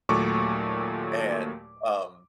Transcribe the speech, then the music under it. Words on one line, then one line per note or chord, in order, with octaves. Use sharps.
and, um,
D#2 A#2 F#3 A3 C#6 D6